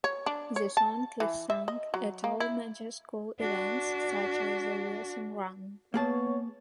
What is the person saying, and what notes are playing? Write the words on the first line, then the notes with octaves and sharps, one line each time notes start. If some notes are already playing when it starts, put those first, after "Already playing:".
The song is sung at all major school events such as the Wilson Run.
C#5
D4
C#5
A5
E3
E5
D#5
F#3
A#3
E4
D4 F#4
A#3 B3 G#4 C#5 A5